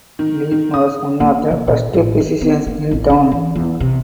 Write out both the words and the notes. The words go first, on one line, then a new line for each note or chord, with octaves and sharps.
Leith was one of the first physicians in town.
D#3
D#3
D#6
A#3
C#3
A#2
A1
F3
B3
A#3
A1
D3
E3
E2
C3